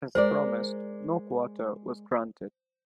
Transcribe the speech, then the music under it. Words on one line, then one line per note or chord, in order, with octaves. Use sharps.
As promised, no quarter was granted.
G#3 A#4 C5 D5